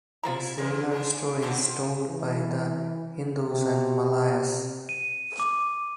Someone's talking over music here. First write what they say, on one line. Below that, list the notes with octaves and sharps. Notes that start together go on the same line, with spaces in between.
A similar story is told by the Hindus and Malays.
E4 F4 C5 A#5
A#2 D#3 E3 A#4
G#3 D4 D#4
D3 D#3 F#3 C4 E4 C6
E3
C3
D#7
D6